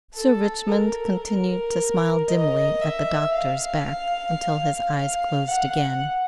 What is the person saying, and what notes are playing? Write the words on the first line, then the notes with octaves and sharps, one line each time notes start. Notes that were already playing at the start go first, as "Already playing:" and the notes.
Sir Richmond continued to smile dimly at the doctor's back until his eyes closed again.
A4
A#4
A#4
D#5
E5
F5
F5
F#5